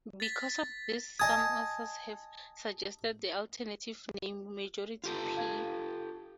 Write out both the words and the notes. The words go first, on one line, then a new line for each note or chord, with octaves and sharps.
Because of this some authors have suggested the alternative name "Majority-P".
A6 B6
D#5 G#5 A5 D#6 G#6
F4 G4 A4
F5 G#6